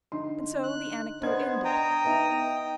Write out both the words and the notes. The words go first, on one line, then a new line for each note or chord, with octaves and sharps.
And so the anecdote ended.
D3 D#4 C6
F#6
B3 D4 C5 D#5 G#6
G5 A#5 D#6
B3 D#4 E5